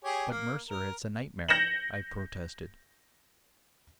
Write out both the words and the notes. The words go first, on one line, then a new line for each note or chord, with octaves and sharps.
"But, Mercer, it's a nightmare!" I protested.
G4 G#4 C#5
A#3
A#4
G6 A#6 C#7 E7 F#7